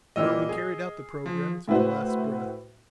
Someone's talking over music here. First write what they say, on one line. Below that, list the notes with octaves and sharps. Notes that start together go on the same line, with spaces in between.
Well, he carried out the programme to the last breath.
A#2 E3 G3 D#5 E6 F6
G#4
F3
A2 E4 F#4 B4 C5